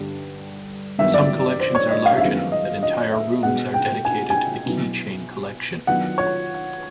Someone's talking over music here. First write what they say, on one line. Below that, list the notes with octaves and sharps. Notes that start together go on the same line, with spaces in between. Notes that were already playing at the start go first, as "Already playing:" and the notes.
Some collections are large enough that entire rooms are dedicated to the keychain collection.
Already playing: G2 D3 G3
G2 D#3 F#3 B3 E5
D5
C5
C#5
D#5
F5
E5
F#2 D#3 G#3 B3 F5
D#5
D#5
E5
B2 G#3 B3 F#5
G5
G#5
G#5
G5
B2 F#3 B3 E4
D#3 F#3 B3 D4 F4 F#5
C#5